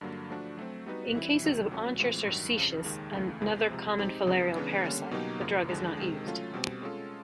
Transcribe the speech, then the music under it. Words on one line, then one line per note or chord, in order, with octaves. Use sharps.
In cases of onchocerciasis, another common filarial parasite, the drug is not used.
G2 D3 F#3 A#3
F3 A3 D4 F#4
F#3 A3 C4
G3 B3 D#4 F#4 B4
E3 G3 C4 E4
D2 C3 D#3 F#3
A#2 F#3 A3 C#4 F#4
A2 E3 G#3 C4 F4
G2 D#3 F#3
F2 C#3 F3
D#2 D#3 G#3
C#2 C#3 E3 A3
E2 C3 E3 G#3
C3 F3 G#3 C4
G#3 C4 D#4 G4
F2 C#3 F#3 B3
C#3 E3 G#3 B3 D4
D3 G3 A#3 C#4
B2 F#3 A#3 D#4 G4
F#2 C#3 F3 A#3
D#2 D3 F3 G#3
C3 D#3 G#3
F#3 A3 C#4 F4 A4
B2 G3 C4
G#3 C#4 F4 A4